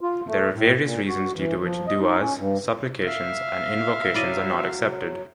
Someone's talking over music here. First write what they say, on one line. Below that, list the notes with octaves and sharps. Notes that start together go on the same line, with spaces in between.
There are various reasons due to which Du'as, supplications and invocations are not accepted.
F4
A3
A2
A#2
F#4
E3
F3
D#5
D#4
C#4
G2
E5 F5
F#3 E4 D5 D#5